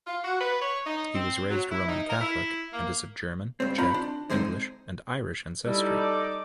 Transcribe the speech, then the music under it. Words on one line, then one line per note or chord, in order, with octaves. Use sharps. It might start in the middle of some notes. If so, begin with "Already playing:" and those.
He was raised Roman Catholic, and is of German, Czech, English, and Irish ancestry.
F4
F#4
B4
C#5
D#4
C4
F#3
E4
D#4
A#4
E4
A#3
G2 C4
C4 D4 F4 A#5 B5
D4
D3 G#3 C4 C#4 D#4
G3 D#4 E4 A4 D5
D6